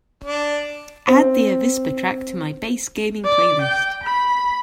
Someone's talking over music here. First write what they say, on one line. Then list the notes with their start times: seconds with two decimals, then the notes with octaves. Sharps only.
Add the avispa track to my Bass Gaming playlist.
0.23 D4
1.08 C4
3.24 D5
3.61 G5
4.03 B5